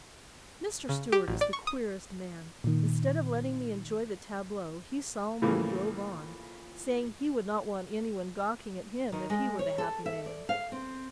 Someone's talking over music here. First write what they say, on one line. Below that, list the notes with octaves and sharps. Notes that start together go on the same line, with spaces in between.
Mr. Stewart is the queerest man: instead of letting me enjoy the tableau, he solemnly drove on, saying he would not want any one gawking at him if he were the happy man.
C#3
G4
A1
D5
C#6
D#6
A#2 D#3
A2 C#3 E3 F3 A3 A#3
D#3
G#3
C#5
A4
E5
D5
F5
C4